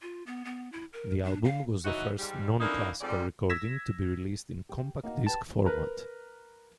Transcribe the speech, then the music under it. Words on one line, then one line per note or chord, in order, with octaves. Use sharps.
The album was the first non-classical recording to be released in compact disc format.
F4
B3
B3
E4
A#4
D4
F5
E3 F#3 D#4 F#4
G#2 G3
F2 E3 A#3 D4 D#4
F2 G#2 G3 D5
E6 G#6 A#6 B6 E7
G4
A#3 D#4 F#4
G4 B4 G5 A5
A#4 B4